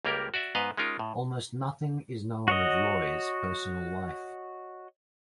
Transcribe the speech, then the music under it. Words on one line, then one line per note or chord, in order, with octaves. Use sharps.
Almost nothing is known of Loye's personal life.
C#2 G3 A#3 G4 A#4
F#4 D5 E5
G#2 B3 B4 D#5 F5
G#3 C#4 D#4 F4 A#4
A2
F#4 C#5 D#5